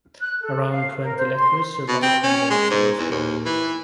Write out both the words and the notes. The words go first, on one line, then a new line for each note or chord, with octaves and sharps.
Around twenty letters survive from their correspondence.
F#6
A4
F5
A#4
C5
C6
B2
C4
C#4
G#3
G#2
E2
D#2
E3